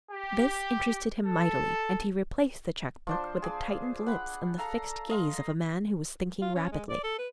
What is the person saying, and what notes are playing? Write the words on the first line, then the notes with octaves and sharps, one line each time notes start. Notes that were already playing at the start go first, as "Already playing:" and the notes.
This interested him mightily and he replaced the cheque book with the tightened lips and the fixed gaze of a man who was thinking rapidly.
G4
A4
F3 D4 C5
G#4 D5 A5
F#5 B5
A4 F5 A#5
D#5 F5 C6
F4
C#4
G#3
D5
A4
B4